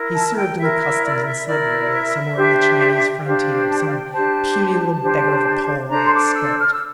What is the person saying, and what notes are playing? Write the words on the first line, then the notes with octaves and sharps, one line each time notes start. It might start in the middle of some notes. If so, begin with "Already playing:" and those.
He served in the customs in Siberia, somewhere on the Chinese frontier, some puny little beggar of a Pole, I expect.
Already playing: E4 A#4
A5
G5
E4 A#4 E5
E5
D5
E5
E4 A#4 D5
E5
D4 G4 C5
G5
D4 G4 C5 F5
A5
G5
F5
G5
D4 G4 C5 A5
D4 G4 C5
D4 A4 C5 A#5
C6
D6
E6
F6
E6